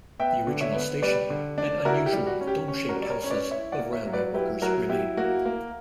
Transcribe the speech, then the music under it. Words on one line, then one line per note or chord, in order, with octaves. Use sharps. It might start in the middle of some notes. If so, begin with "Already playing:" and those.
The original station and unusual dome-shaped houses of railway workers remain.
B3 E5 G5
D3
C#5 E5
B3
G3 B4 D5
D3
D4
E4 F#4 A#4
G4
G3
F#4
C#4
G4
C#4
F#4 A#4
G3
D5
A#4 C#5
C#4 C#5
B4 D5
E4 C#5 E5
D5 F#5
A#3
C#5 E5
F#3
B4 D5
E4 G4 B4
F#3 F#4 A#4
E4 G4
A#3 F#4
A#3